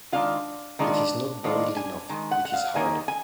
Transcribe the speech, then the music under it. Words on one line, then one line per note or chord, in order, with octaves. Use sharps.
It is not boiled enough; it is hard.
D#3 G#3 D4 F4 F5
D#3 G#3 D4 F4
D#3 G#3 D4 F4
G#5
D#3 G#3
F#5
F#5
F5
D#3 A#3 D#4 G#5
G#5